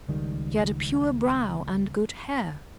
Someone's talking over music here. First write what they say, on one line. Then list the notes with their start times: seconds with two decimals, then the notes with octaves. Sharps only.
She had a pure brow and good hair.
0.09 C#2 D#3 G3